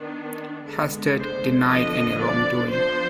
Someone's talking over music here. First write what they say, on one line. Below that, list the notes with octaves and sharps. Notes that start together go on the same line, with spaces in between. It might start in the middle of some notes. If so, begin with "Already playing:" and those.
Hastert denied any wrongdoing.
Already playing: D#3 B3 D4
D3 G#3 B3 D4
C5
D3 F3 B3 D4 D#5
D5
F3 B3 D4 C5